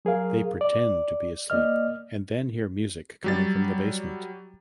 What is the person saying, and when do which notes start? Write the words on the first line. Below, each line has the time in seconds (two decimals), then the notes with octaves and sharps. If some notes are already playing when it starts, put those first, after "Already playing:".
They pretend to be asleep and then hear music coming from the basement.
0.05 F#3 G#4 A#4 F5
0.61 D5
1.50 A#3 D5 D#5 F6
3.24 F#3 G3 A6